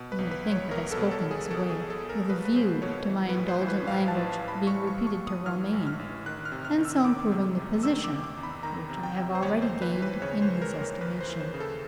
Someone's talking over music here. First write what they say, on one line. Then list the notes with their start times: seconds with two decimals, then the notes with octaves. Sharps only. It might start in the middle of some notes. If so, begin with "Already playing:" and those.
You may think that I spoke in this way with a view to my indulgent language being repeated to Romayne, and so improving the position which I have already gained in his estimation.
Already playing: B2
0.12 B4
0.19 B1
0.31 B4
0.45 B1
0.51 C#5
0.71 B1 A#4
0.91 A4
0.97 B2
1.11 A4
1.24 B2
1.31 G#4
1.50 B2 A4
1.70 G#4
1.77 B1
1.90 A4
2.03 B1
2.09 A#4
2.30 B1 B4
2.45 B4
2.56 B2 C5
2.82 B2 C#5
3.09 E3
3.29 B4
3.35 A2
3.48 C5
3.61 E3
3.68 B4
3.87 A1 F5
4.08 A5
4.15 A1
4.41 A1
4.48 B5
4.67 A1 C#6
4.87 C#6
4.94 A1
5.07 C#6
5.21 A1
5.27 D#6
5.46 E3 F6
5.73 A1
5.87 F6
5.99 A1
6.26 D#3 F#6
6.45 F6
6.52 C3
6.65 F6
6.78 D#3
6.85 E6
7.05 D#3 D6
7.31 C3
7.58 E2
7.83 D#3 E6
8.04 D6
8.10 C3
8.24 D6
8.37 E2
8.43 B5
8.63 D#3 A#5
8.90 C3
9.03 G5
9.16 C3
9.35 C5
9.42 D#2 C#5
9.62 C5
9.69 D#2
9.82 B4
9.95 E3
10.02 B4
10.22 C#3 C#5
10.42 C5
10.48 C#3
10.62 A#4
10.74 D#2
10.81 A#4
11.01 D#2 B4
11.21 C5
11.28 E3
11.41 C5
11.54 C#3
11.60 A4